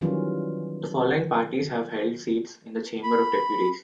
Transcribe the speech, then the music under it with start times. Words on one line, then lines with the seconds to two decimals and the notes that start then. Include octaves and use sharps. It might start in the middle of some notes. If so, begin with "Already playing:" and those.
The following parties have held seats in the Chamber of Deputies.
0.01 D#3 E3 F#3 G3 C#4 F4
3.03 B5